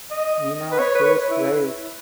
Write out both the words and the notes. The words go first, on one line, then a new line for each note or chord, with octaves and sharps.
Nina says "Live".
D#5
B4
C#5
B4
E4